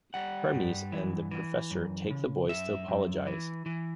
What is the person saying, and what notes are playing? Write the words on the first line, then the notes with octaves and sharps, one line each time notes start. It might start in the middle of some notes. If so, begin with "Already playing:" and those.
Hermes and the Professor take the boys to apologize.
G3 F#5
G2
E3
E3
F#2
C#3
F#2 E5
F#2
E3
E3